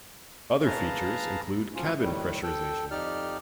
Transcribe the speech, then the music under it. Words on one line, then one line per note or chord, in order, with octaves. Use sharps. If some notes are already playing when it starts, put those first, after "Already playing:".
Other features include cabin pressurization.
G#4 B4 F5 A5 A#5
F3 F#3 C#4 F4
A2 D#3 G3
A4 G5
F2 D#4 G4 D5 F6